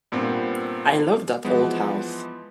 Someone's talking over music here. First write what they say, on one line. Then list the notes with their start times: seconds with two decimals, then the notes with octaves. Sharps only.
I love that old house.
0.12 G2 A#2 B3 C4
1.45 E3 F3 G#3 B3